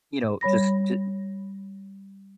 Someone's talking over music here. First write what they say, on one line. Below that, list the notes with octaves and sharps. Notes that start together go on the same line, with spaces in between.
you know, just ju
G3 C#5 B5 A#6